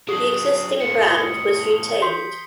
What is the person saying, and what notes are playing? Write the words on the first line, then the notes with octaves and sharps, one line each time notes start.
The existing brand was retained.
F#3 D4 G#4 D#6 C7 F#7
A2 D#3 C#7
C6 G6 B6 C7